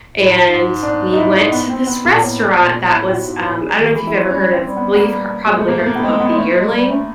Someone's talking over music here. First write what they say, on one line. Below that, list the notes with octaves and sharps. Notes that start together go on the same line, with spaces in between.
and we went to this restaurant that was, um I don't know if you've ever heard of well, you've hear probably heard of the book, The Yearling?
A2
G#2
D4
D#4
E4
D#4
B3
C4
B3
A#3
A#2
A2 B3
A#2
A#2
A2 E4
A#2 G4
F#4
A2
G#2
B4
A2
G#4
D#3
G4
E3
E4
F3
G3 C#4
C4
G3
B3
B3
A#3
G#3
A3
A#3
A3
A#3
B3
G#3 C4
B3
G#3
A3
G#3
G3
A3